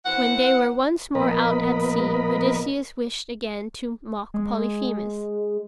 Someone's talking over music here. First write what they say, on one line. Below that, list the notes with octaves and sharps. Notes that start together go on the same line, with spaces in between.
When they were once more out at sea, Odysseus wished again to mock Polyphemus.
E3 C4 F#5
A#2 F3 B3 A#4 D#5 B5
G#3